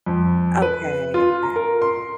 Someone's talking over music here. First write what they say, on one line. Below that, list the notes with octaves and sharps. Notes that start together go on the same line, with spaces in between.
Okay, okay.
F2
B4
F4
A#5
A#4
C6